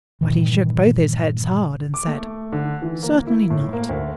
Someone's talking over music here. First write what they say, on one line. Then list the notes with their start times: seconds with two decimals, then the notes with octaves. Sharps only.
But he shook both his heads hard and said, "Certainly not!"
0.21 G2 A#2 D#3 E3
1.94 D6
2.07 A3
2.52 D3
2.82 E3
3.03 A#3
3.27 E4
3.50 A2
3.73 A#3
3.89 D2